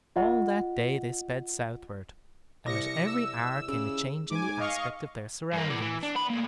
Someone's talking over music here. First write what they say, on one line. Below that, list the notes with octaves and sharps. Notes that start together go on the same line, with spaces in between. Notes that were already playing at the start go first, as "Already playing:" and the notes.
All that day they sped southward, and with every hour came a change in the aspect of their surroundings.
F4 D#5 F#5
C2 A#6 C#7
E6
C#3
G#2 G#5 D6
D#5 F5 C#6
G2 A#3
E3 D5
E3
D4
B3 B5
A2 A#3